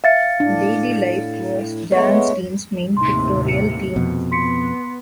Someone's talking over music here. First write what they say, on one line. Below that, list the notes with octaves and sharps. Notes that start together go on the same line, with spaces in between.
Daily life was Jan Steen's main pictorial theme.
E5 F5 A6 C#7
A2 D4
G#3 A3 B3 C#5
D#2 A2 C3 D#4 C6
C#7
F2 B2
B3 C6 B6 C#7